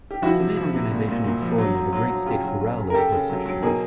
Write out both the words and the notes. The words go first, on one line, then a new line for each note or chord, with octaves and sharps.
The main organizational form of the State Great Hural is the session.
G4
F3 E4 F#4
C3
F3
C3
A#2
A#2
A#2
F3
F#3
F#3
F#3
F#3
C#3 F4 G4
F#3
F#3
C#3
A#4
C#3 G4 A4
C#3
F#3
F#3
B2 G#4 A#4